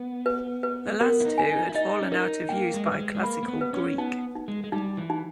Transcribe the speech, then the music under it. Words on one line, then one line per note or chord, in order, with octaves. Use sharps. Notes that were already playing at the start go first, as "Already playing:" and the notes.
The last two had fallen out of use by Classical Greek.
Already playing: B3
B4
B4
B3 A#4
E4
D#4
G#5
D#4
E4
D#4 D#5
C#4
D#4 A#4
A#3 G5
G#3
B4
G3
G#3
G#3
A#3 B5
A#3
B3
B4
C#4
B3 D#4
D#4
G#3
G#3
G3 D#4
E3
D#4